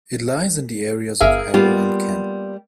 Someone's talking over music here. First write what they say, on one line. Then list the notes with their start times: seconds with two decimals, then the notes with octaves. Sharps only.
It lies in the areas of Harrow and Kenton.
1.20 G1 G#4 A#4 E5 F5 G#5
1.54 G3 A#3 B3 F4 G4